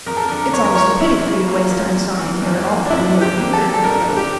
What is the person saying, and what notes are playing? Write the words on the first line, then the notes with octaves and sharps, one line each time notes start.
It's almost a pity for you to waste time stopping here at all, any more than you have of late.
F2 A#4
A4
D3 A#4
F2 C#5
A#4
F3 C#5
E2 E4
C#3
A#3
F3
E2
E3
E2
A#3
D4
G2 E4
D3
G4
A#3
A4
G3
A4
G2 A#4
D3
G4